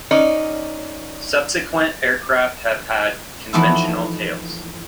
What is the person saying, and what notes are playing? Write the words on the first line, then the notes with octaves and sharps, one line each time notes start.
Subsequent aircraft have had conventional tails.
C#4 D#4 D5
E3 F3 A3 B3 D#4 E4